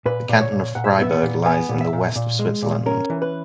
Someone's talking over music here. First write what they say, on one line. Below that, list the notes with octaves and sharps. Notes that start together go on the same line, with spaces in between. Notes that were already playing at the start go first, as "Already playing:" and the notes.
The canton of Fribourg lies in the west of Switzerland.
A#2 B4
A#2
C#5
A#2
A#2 F#5
E5
D#5
B3 E5
F#5
A#2
B3 G#5
A#2
E5
A#2
A#2
G#3
A#2
C#4 A#4
E3
B4